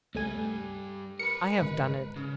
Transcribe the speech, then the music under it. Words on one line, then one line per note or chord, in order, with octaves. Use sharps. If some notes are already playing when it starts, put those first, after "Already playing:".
I have done it!
C#2 G2 G3 A3 G#5
A#4 B4 C#7
G#1 G#3
C#3